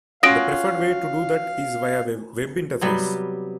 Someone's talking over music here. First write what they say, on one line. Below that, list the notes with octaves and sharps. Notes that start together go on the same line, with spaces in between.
The preferred way to do that is via a Web interface.
C#4 F4 F#4 F5 D#6 A#6 D7
C3 F#3 G3 B3